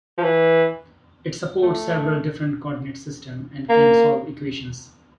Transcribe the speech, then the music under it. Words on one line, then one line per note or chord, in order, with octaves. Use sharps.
It supports several different coordinate systems, and can solve equations.
F3
E3
A3
A#3